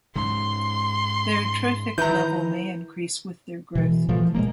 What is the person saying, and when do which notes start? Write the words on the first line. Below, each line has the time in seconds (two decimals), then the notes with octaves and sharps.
Their trophic level may increase with their growth.
0.16 G#2 C#3 C6
1.98 D#3 E3 E4 B4 A#5 G6
3.75 B2 E3
4.09 A#2 E3 F3 A3
4.34 A#2 G#3 A#3